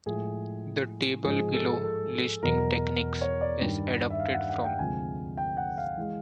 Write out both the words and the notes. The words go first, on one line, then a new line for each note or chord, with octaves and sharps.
The table below, listing techniques, is adapted from.
A2 F3 G#3 G#4
G#2 F3 G#3 G#4
A4
A4
E2 B2 F#3 A#4
C#5
D5
G2 D#3 G3
E5
F5
F#5
F#5
G5
D2 C3 F3 G#3 G#5
G5
F#5
F5
E3 G#3